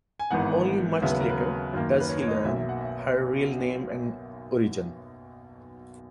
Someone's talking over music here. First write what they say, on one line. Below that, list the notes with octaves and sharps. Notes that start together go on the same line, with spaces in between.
Only much later does he learn her real name and origin.
G#5
G#1 G#2 E3 B3 F#5
D#2 C#3 F#3 B3 E5
B4
A#4
B4
A#4
F#2 D#3 A#3
B4
C#5
C#5
D#5
B1 B2 A#3 E5
E5
F#5
E5